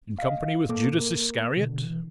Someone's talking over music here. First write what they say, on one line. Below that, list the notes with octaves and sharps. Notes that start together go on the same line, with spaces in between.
"In company with Judas Iscariot?"
D#5 F5
A#2 A#3 A4 D6
A#3 A#4
B2 D3
E3